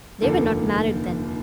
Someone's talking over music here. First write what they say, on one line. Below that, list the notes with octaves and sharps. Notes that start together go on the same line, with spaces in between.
They were not married then.
F1 D#2 D3 F3 A#3 A4